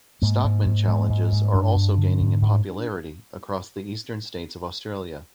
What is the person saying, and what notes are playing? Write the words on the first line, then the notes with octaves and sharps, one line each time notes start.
Stockman challenges are also gaining in popularity across the eastern states of Australia.
G#2 A#3
G#2
G#2
G#2
G#2
G#2
G2 D4
G2
D3
G#2
G#2